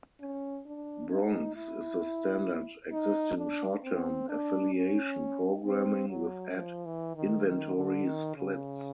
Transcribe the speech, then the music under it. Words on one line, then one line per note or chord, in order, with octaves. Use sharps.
Bronze is the standard existing short term affiliation, programming with ad inventory splits.
C#4
D4
D#4
E4
D#4
D4
C4
D4
C#4
C4
F#3
F3
E3
D#3
D#3
D3
D#3
C#3